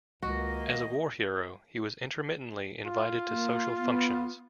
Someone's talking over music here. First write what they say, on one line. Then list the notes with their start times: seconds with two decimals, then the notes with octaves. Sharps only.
As a war hero, he was intermittently invited to social functions.
0.22 C#2 D#3 A#3 F#4 D#5
2.86 F4
3.28 A#3
3.78 B3